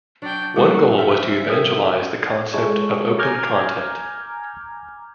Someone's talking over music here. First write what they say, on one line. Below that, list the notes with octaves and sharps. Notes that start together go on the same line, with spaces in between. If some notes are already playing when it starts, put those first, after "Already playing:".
One goal was to evangelize the concept of open content.
F#3 D4 G5
D#3 G3 A3 A#3 F#4 G#4 A4
C#3 F3 G3 E5 F6
G4 A4 A#4
G#3 E4 A4 C#5
G#5 A#5 D6 F6 G6 G#6